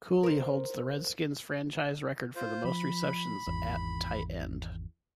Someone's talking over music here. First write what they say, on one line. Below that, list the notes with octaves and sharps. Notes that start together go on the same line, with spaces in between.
Cooley holds the Redskins' franchise record for most receptions at tight end.
A#4 C5
F4 C5
F3 B5
G#1 E2